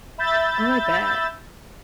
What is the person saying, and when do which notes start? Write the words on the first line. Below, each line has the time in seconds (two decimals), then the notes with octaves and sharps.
Oh, I bet.
0.18 E5 B5 E6 G6 A6